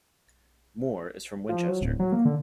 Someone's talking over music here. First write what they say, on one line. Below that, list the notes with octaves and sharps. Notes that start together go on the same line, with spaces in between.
Moore is from Winchester.
F3
F#3
D1
F#3
A#3
D3